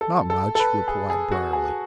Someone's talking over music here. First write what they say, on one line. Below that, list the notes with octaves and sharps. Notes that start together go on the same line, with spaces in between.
"Not much," replied Briarly.
A4
A4
A4
B4
G#4
G#4
F#4
G#4